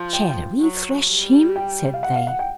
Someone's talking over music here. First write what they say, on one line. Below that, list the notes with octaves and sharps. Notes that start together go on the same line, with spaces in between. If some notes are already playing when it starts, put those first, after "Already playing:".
"Shall we thrash him?" said they.
Already playing: F3
G5
F#3
G3
G5
F5
F#5
F5
F#5
G5